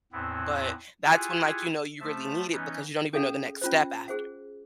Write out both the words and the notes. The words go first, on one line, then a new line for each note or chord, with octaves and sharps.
but that's when, like, you know, you really need it because you don't even know the next step after.
E2 A2 B3 C4 E4
E4 F4 G4 G#4 F#5 G#5
F3 A3 E5 A5
E3 B3 C#4 D#4
C#4 G#4 A4 C#5 F5 F#5
C#4 F4 C5
G#4 C5 F#5